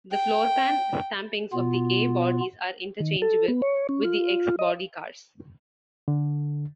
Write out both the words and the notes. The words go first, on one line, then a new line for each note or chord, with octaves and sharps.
The floorpan stampings of the A-Bodies are interchangeable with the X-Body cars.
G5
B2 B3 F4
D#3
A4
B3
C#5
C#4
F4
D#5
D3